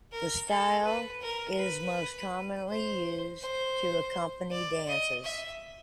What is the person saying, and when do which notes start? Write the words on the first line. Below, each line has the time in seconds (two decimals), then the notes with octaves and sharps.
The style is the most commonly used to accompany dances.
0.12 A#4
0.48 A4
0.85 B4
1.22 A#4
1.58 B4
2.68 C5
3.41 C5
4.51 D5
4.87 D#5
5.24 E5